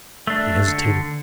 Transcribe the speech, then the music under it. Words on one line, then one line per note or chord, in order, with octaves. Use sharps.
He hesitated.
A3 D4
D3